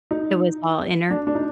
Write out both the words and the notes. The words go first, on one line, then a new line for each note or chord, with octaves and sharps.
It was all inner?
D#4
D4
D4
D#4